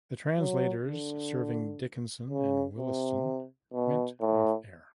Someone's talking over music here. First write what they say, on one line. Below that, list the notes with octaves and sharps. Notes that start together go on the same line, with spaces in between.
The translators serving Dickinson and Williston went off-air.
F#3
D3
C#3
C3
B2
A2